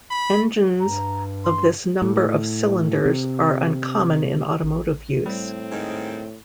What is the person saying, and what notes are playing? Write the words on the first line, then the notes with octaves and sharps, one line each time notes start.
Engines of this number of cylinders are uncommon in automotive use.
B5
G2 A#5
C6
A2
C3
A1
A2 G3 C4
G#2 D#3